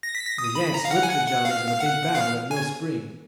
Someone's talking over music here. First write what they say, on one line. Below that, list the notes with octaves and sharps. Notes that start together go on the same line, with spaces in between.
The Yanks whipped the Johnnies in a big battle at Mill Spring.
A#6
B6
A#6
D#6
B5
A#5
F5
F#5
G#5
F#5
F#5
F5
F#5
F5
G#5